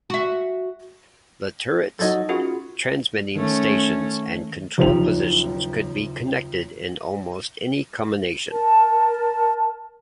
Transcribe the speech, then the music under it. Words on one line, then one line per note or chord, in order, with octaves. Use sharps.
The turrets, transmitting stations, and control positions could be connected in almost any combination.
F#4 E5
F#3 D#4 A4 D#5 G#6 A6
C#4 F4 F#4 G#4 A#4 F#5
D#3 A3 C#4
F#1 D#2 F3 G4 F7
A#4 A5